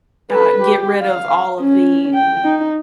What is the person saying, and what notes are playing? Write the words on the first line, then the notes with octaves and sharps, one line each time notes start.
uh, get rid of all of the
A4 B4
G4
F5
C#4
G5
D#4